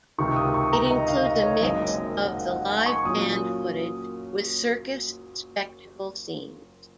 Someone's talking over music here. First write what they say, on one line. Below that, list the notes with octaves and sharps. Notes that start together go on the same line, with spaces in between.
It includes a mix of the live band footage with circus spectacle scenes.
C#2 C3 D#3 C#6
D#6
C#6
A#5
D#5
F5
D#5
C#5
F#1 F#2 D#3 G#3 C4 D#5
D#5
F#5
F5
F#5
G#5
C#6
A#2 F#3 C#4 F4 D#6